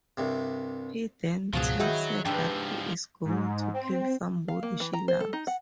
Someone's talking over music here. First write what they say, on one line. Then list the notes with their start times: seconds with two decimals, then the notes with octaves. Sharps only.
He then tells her that he is going to kill somebody she loves.
0.17 C2 G2 C3
1.53 C#2 G#2 B2 F3 F#3 F4 G#4
1.80 D#3 D#4 E4 F#4 G#4 E5
2.25 G#2 F3 D4 G4 B4 G5 E6
3.25 G#2
3.74 C4
4.48 F5
4.63 A#3
4.80 E3
4.93 A#5
5.08 C5
5.20 A4
5.33 D#4
5.47 F#5